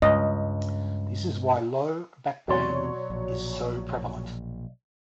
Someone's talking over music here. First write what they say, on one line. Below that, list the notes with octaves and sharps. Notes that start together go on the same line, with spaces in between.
This is why low back pain is so prevalent.
C#2 G2 D#5
B1 E2 C3 F#3 C#5 D5 C6
A#1